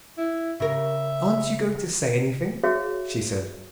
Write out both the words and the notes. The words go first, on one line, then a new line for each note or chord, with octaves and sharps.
"Aren't you going to say anything?" she said.
E4
C#3 A#4 E5
F#4 G#4 C#5 E5 F5